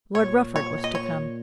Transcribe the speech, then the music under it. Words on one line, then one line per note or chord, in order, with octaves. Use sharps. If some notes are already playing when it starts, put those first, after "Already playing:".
Lord Rufford was to come.
A#2 C#5
C#5
D#5
C#5